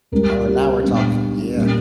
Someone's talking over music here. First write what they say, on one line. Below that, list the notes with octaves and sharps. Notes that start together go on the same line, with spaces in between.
Oh, now we're talking, yeah.
C#2 C#3 G3 A#4
G4
A#2 G3 B3 D4
A#2 G3 A#3 C#4